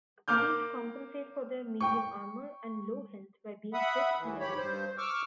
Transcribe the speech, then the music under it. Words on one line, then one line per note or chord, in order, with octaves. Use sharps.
Thieves compensate for their medium armor and low health by being quick and evasive.
A#3 D6 F6 G6
G5 C#6
E5 F#5 B5 D#6
D#2 E3
G#2 G4 C#5 B5
G2 C5
C#6 D6 E6 F6